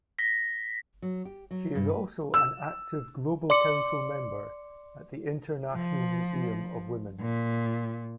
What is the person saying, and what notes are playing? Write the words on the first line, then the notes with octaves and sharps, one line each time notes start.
She is also an active Global Council Member at the International Museum of Women.
A#6 B6
F#3
G4
F#3
G2
B4
E6
D5 C6 D6 C#7
F3
A#2